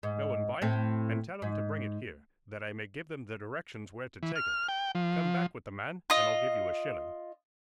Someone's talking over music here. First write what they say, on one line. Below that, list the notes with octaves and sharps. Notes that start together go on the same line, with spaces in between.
Go and buy it, and tell 'em to bring it here, that I may give them the directions where to take it. Come back with the man, and I'll give you a shilling.
G#2
A2 C4
G#2
E3
F6
G5
F3
F4 D#5